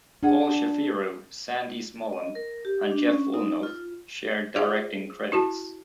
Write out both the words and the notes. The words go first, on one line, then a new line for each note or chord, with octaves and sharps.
Paul Shapiro, Sandy Smolan, and Jeff Woolnough shared directing credits.
D4 F4 G#4 F#5
D#5
A#4
G4
D4
C#4
D#4
F4
F4 G#4 C5 D5 E5
E4 F#4 A5